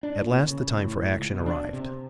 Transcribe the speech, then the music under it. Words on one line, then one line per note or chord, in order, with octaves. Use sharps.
At last the time for action arrived.
D4
A#2
C#3
A2
C#2
B2
D4
C3